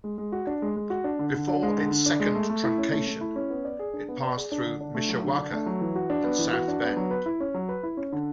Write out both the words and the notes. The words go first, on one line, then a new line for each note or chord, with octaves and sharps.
Before its second truncation, it passed through Mishawaka and South Bend.
G#3
G#3
F#4
D4
G#3
G#3
F#4
D4
D3
D3
D4
G#3
D3
D3
D4
G#3
A3
A3
E4
C#4
A3
A3
E4
C#4
B3
D5
G#4
D4
B3
D5
G#4
D4
D3
D4
A3
F#3
D3
D4
A3
F#3
E3
F#4
D4
B3
E3
F#4
D4
B3
F#3
B4
E4
C#4
F#3
B4
E4
C#4
D3